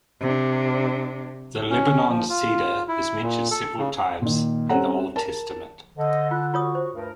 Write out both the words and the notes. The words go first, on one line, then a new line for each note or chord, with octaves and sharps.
The Lebanon Cedar is mentioned several times in the Old Testament.
C3 D4
C#4
F3
F4
E4
A#2
A4
C#3
A#2 D#3
G3 C4 C#4 A4 F#5 A#5
A#4 A5
D3 A4 C5 D#5
F4 F#6
F4 F#4 C#5 C#6 D#6
C5
D2 G2 A#4